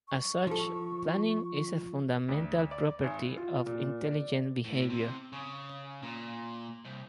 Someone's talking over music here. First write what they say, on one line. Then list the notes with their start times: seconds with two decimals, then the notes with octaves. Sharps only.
As such, planning is a fundamental property of intelligent behavior.
0.08 C#6
0.47 F3 A4
2.29 D2
2.71 D5
3.04 G#1
3.37 F4
3.66 A#2
4.05 D5
4.65 A2
4.90 C3
5.33 C#3
6.03 A#2
6.84 C2